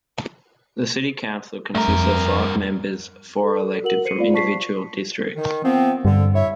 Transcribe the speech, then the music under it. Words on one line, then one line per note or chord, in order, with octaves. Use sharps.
The city council consists of five members four are elected from individual districts.
G2 A3 A#4
F2
A4
F#4 A#4 F#5 F#7
C5 C7 C#7 D#7
F4 D5 F5
C5 A5 C#6 B6 C7
D#3
F3 B3 C4
G2 D3
E4 C#5 E5